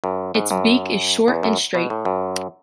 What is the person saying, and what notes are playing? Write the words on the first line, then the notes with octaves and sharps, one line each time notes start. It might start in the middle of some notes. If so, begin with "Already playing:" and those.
Its beak is short and straight.
F#2
G#2
F#2
E2
F#2
B2
A2
F#2